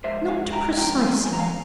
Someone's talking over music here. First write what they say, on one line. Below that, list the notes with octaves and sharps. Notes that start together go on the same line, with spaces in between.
Not precisely.
G2 F3 G#3 C5 E5
F5 G#5
G5 A#5
G2 F3 G#3 G5 A#5
F5 G#5
G#5
A#5
F5 G#5